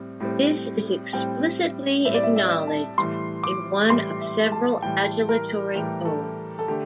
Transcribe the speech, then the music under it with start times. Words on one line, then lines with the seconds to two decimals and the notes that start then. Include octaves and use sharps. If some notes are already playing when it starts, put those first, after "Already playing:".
This is explicitly acknowledged in one of several adulatory poems.
Already playing: A2 G3 C4
0.20 A2 G3 C4
1.13 A2 G3 C4 G5
2.05 A2 G3 C4 E5
2.14 D5
2.23 E5
2.36 E5
2.43 D5
2.51 E5
2.67 A5
2.98 A2 E3 G3 C6
3.43 D6
3.90 A2 E3 G3 C6
4.21 E5
4.52 A5
4.82 A2 E3 G3 G5
5.29 A#4
5.75 A2 E3 G3 G4
6.05 A4
6.59 A4
6.68 D3 A3 G4